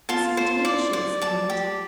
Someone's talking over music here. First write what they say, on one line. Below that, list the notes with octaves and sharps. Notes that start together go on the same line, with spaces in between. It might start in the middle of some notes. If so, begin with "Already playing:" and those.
Mrs. Dean!' she exclaimed.
F4 A5
C5
D5
D5
D5 A5
G4